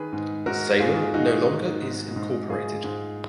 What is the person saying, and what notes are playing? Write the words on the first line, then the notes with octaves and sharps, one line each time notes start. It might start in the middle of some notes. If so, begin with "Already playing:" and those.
Salem no longer is incorporated.
Already playing: D#3 G#4 B4
G#2
G#2 F#4 A#4
G#2 F4 G#4
G#4
D#3 D#4 F#4
D#3
G#2
G#2
G#2 F4 G#4
G#2